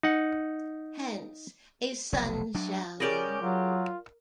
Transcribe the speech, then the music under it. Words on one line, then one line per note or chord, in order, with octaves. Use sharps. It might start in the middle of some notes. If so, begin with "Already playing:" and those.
Hence, a sunshower.
D#4 F#5
F1 B1
F#3 D4
C#3 C#4 G4 A#4 D5 D#5
F#3 F4